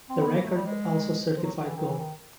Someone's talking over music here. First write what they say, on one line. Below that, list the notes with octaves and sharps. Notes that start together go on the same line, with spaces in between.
The record also certified gold.
C4
B3
A#3
A3
G3
G#3
F3
F#3
E3
D#3
E3
D#3